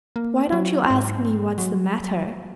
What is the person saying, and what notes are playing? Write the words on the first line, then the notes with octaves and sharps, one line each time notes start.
"Why don't you ask me what's the matter?"
A#3
F#3
G#2
F#3